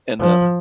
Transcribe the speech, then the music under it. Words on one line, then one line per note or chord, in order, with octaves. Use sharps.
And, um,
F3